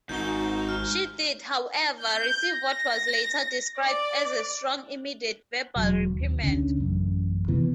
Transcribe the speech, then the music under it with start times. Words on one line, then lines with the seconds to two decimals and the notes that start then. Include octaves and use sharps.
She did, however, receive what was later described as a "strong, immediate, verbal reprimand".
0.09 G#1 G#2 D#4 F#4 G6 G7
0.69 F6
2.00 G6
2.52 A#6
3.78 D5
5.76 E1 F#3
6.14 D#2
6.41 D2 C#3 D4
6.77 A1 F#2
7.48 C3 D#3 E3 B3